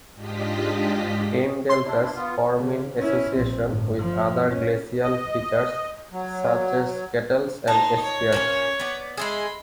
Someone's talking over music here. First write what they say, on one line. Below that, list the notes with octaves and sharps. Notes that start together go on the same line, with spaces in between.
Kame deltas form in association with other glacial features such as, kettles and eskers.
G#2 D4 F4 G4 D#5 B6
C6
D4 E4
B3 F4
C#3
C#4 E4
A#1 C4
G1 A2
F3
C#4
D#5
F#3
D#4 C5 A5 A#5
C#5
A#2 A#3 C#4
B3 D5
G#3 E4 G#4 B5 C6